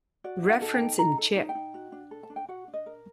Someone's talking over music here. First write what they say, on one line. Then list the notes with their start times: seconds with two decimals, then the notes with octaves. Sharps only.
Reference in Czech.
0.24 F#4 D5
0.42 D#4
0.49 F#5
0.62 A4
0.74 G5
0.80 D#4
0.99 A4 A#5
1.18 A4
1.36 D#4
1.49 G5
1.55 D#4
1.74 F#4
1.92 D4
2.11 A4
2.23 A5
2.30 D4
2.36 G5
2.48 F#4 F#5
2.68 D4
2.74 D#5
2.86 A#4